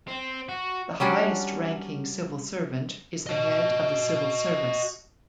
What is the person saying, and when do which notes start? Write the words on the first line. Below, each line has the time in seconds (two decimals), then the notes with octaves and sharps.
The highest ranking civil servant is the head of the civil service.
0.08 C4
0.49 F#4
1.00 F#3 G3 C#4 D4
3.27 F#4 D#5